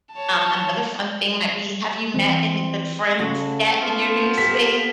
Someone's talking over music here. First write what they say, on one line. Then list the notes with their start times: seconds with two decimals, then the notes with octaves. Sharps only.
um, another fun thing might be have you met any good friends yet in your new space?
0.13 C#5 A5
2.14 E3 C4
3.19 C#3 C#4 F#4 A4
3.81 F3 B3
4.38 B3 G4 A4 B6